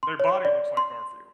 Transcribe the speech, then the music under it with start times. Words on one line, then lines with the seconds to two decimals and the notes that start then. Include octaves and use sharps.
their body looks like Garfield.
0.03 C6
0.20 C#5
0.45 D5
0.77 C6